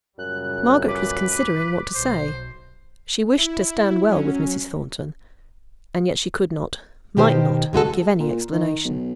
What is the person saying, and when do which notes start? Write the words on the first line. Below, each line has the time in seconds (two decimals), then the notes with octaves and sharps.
Margaret was considering what to say; she wished to stand well with Mrs. Thornton; and yet she could not, might not, give any explanation.
0.19 F#2 A#2 C#3 G3 F#6
0.88 B4 D6
1.95 B1 C5
3.38 E4
4.08 F#3 C#4
7.17 B2 D#3 G4 C5
7.73 C#3 G#3 F#4 A4
8.20 A#2
8.53 D#3
8.85 B1